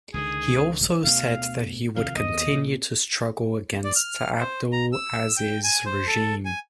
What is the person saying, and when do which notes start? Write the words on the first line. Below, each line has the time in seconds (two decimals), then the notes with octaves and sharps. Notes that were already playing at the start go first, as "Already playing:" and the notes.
He also said that he would continue to struggle against Abdel Aziz's regime.
0.14 C#2 D3 D#3 G#4
1.04 D2 B2 A3 F5
1.96 C3 D#3 F3 F5
2.16 D#2 B3 D#5
2.51 A#2
3.84 D5
3.96 F6
4.40 C5
4.72 A#5
4.93 E6
5.37 G5
5.64 G#5
5.86 C5
6.07 A4
6.45 G#5